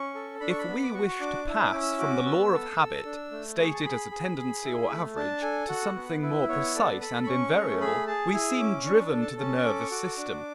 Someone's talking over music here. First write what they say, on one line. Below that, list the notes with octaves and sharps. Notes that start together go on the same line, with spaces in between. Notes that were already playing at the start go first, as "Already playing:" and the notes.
If we wish to pass from the law of habit, stated as a tendency or average, to something more precise and invariable, we seem driven to the nervous system.
Already playing: C#4 C#6
A4
D4 B5
C#6
B5
B3
D6
F#4 C#6
C#6
D4 D6
E4
D6
C#4
E6
F#4 D6
B3 E6
A4
A4
D4
A3
G#4 C#6
A5
G#4 B5
G#4
G#4
E4
A3
D4 A5
A4 G#5
F#4 F#5
B3
E4 B4
B3 C#5
A4 D5
A4 B5
B5
C#4 C#6
A3
G#4 B5
G#4 A5
E4 G#5
C#4 D6
D4 C#6
A4
A5
C#4 A5
A4 D6
C#6
F#4 D6
D4